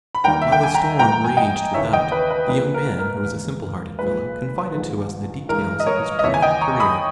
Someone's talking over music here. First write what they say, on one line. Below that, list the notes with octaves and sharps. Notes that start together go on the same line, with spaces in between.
While the storm raged without, the young man, who was a simple-hearted fellow, confided to us the details of his brief career.
B5
D#2 D#3 G3 A#3 G5 A#5
E5
G5
G#5
G5 A#5
G2 E3 A#3 G5 A#5
A#5
G#5
D#5 G5
D#2 C#3 E3 C#5 E5
D#5 G5
B4
B4
A#1 A#2 A#3 B4
A#4
A#4
E1 D#2 C#3
B1 A#2 G#3 B4
A#1 G#2 D#3 G#3
G1 G2 E3 G#3 A#4
D#5
A#4 C#5
D#5
D#2 C#3 E3 C#5 E5
G#5
D#5 G5
A#5 C#6
B5 D#6